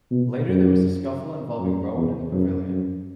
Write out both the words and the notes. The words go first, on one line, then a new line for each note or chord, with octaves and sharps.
Later there was a scuffle involving Rowan in the pavilion.
B2
F#2
F#2
E2
F#2
F#2